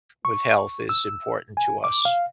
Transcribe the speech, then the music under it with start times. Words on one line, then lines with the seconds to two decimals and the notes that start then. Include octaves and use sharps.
with health is important to us.
0.25 C#6
0.89 E6
1.57 G#5
1.84 D6
2.05 F5